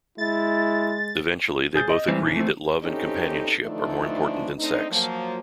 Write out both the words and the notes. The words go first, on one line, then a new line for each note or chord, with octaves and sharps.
Eventually they both agree that love and companionship are more important than sex.
G#3 E4 A6
G#4 G6 A6
D#5
E3 G3 G#3 C4
A#2 D3
A3 C4
E2 C4 C#4 D#4 G4 A4
D3 E3 F3 A3 D4 D#4
A3 C4 D4 D#4
F3 F#3 A#3